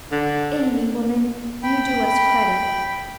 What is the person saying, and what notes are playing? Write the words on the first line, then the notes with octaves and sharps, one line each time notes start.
'Amy, woman, you do us credit!
D3
G5 B5